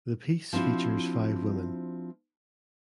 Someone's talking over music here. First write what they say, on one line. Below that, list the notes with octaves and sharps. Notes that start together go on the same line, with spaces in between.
The piece features five women.
F3 C4 D4 E4 F#4